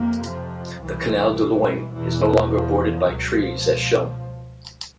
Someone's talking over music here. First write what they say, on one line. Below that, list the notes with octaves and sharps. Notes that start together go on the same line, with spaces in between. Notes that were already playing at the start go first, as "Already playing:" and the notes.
The Canal du Loing is no longer bordered by trees as shown.
Already playing: F2 C3 A#3
F3
C2 B2 E3
E2 B2 E3
F3
C#2 B2 F#3
F3